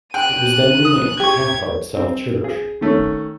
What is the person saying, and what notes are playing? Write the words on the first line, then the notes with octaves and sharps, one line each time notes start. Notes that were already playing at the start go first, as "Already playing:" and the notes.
It was then renamed Cathcart South Church.
G5 F#6 D#7
D#6
G4 C#6 G#6
C4
G#4
D#3 A3 C#4